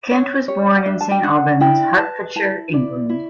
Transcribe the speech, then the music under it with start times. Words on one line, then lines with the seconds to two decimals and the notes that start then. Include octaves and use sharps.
Kent was born in Saint Albans, Hertfordshire, England.
0.11 C#4 C#5
0.48 G4 C#5
0.76 F#5
0.86 D4 E5
1.01 A5
1.11 G5
1.23 D4 F#5
1.60 E4 G5
1.98 B4 A5
2.36 E4 A5
2.73 E4 D5
3.09 E4